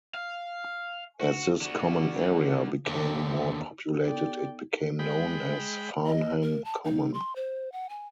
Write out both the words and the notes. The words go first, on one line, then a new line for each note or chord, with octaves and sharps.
As this common area became more populated it became known as Farnham Common.
F5
F#4
D3 F#4
D#2 D3
B3 D#4 A4 D5 G5
G#3 G5 B5
D#5
A#4
A5
D#4
C6
C5
F#5
G#5